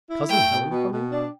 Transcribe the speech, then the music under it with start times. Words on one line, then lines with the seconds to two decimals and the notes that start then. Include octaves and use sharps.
Cousin Helen coming!
0.09 E4
0.29 A3 G5
0.50 B2
0.70 B2
0.92 B2
1.12 D4